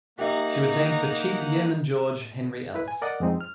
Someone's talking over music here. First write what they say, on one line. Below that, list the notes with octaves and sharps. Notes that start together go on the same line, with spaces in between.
She was named for Chief Yeoman George Henry Ellis.
A#3 D#4 G4 E5 F#5
E4 B4
G#5
A#4 D5 D#5 F#5
F2 G#3 C4 D#4
F6